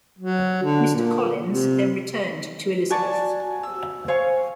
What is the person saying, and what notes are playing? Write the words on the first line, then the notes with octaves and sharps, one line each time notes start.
Mr. Collins then returned to Elizabeth.
F#3
D3
A#2
C3
F#4 D5 G#5 A5 C#6
E6
C5 C#5 F5 G#5 C#6